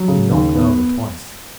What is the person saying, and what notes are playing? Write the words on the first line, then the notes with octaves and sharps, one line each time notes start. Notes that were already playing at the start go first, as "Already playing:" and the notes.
He knocked louder twice.
Already playing: F#3
C#3
D#2
B3